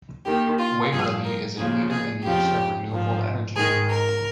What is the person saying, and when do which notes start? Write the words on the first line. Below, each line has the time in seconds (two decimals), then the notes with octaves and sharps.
Waverly is a leader in the use of renewable energy.
0.26 D#2 D#3 G4
0.59 F4
0.92 G2 F3 G#4
1.25 A#4
1.58 D#2 C#3 F3 G#4
1.91 G#4
2.25 F2 C#3 F3 G4
2.91 G#2 F3
3.56 G#2 D#3 G#4
3.90 A#4